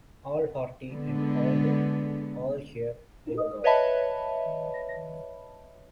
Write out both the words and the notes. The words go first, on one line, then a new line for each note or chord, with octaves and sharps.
All hearty and all here, thank God!
D3 G#3 B3
B4 C#5 D#5 E5 A5 B5